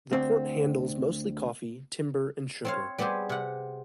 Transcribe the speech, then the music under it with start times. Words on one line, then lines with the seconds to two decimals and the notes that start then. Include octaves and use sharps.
The port handles mostly coffee, timber and sugar.
0.13 D2 C4
2.65 C4 C#5 F5
2.98 G3 B3 C4 G4 G#4
3.29 C3 F#5